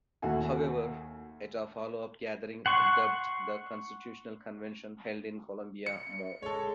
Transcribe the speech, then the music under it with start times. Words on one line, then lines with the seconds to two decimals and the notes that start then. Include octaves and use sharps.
However, at a follow-up gathering dubbed The Constitutional Convention, held in Columbia, Mo.
0.22 D#2 A3 F#4 F#5 G#5
2.66 F#5 C6 C#6
5.86 C#7
6.42 G#3 A4 C#5